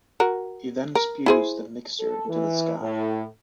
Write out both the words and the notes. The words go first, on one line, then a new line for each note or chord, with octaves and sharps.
He then spews the mixture into the sky.
F#4 A#4
A#4
E4 G#4 C5
A4
E3
A2